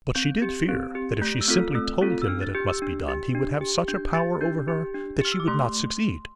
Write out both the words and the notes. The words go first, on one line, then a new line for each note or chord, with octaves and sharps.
But she did fear that if she simply told him that it must be done, he would have such a power over her that she would not succeed.
C4 G6
G4
C4
G4
A3 G6
E6
C4 F4 A4 F6
A3 E6
C4 F4 A4
E6
D4 F6
A6
G4 G6
E6
D4
G4
D4
G4
D4 G6
G4 A6
D4 G6
G4
D4
G4 F6
E6
D6
A3 C6